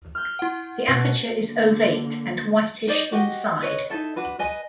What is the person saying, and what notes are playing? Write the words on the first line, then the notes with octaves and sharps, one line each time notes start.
The aperture is ovate and whitish inside.
F6 G6
E4 F#5
B2
D3 A#3
D#4 C5 D5 D#5
F#4 G4 D#5 F#5
B4 C#5 D#5
D#4 E4 A4 E5
D4 F#4 B4
B4 D#5 G#5